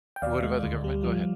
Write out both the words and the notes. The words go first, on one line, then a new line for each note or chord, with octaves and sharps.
What about the government? Go ahead.
G5
D#2 D5 F5
G#3
D2
G3
F3